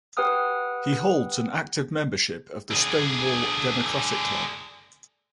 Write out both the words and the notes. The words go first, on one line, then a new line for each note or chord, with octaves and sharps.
He holds an active membership of the Stonewall Democratic Club.
G4 B4 F#5 G5 D#6 F6
D3 G#4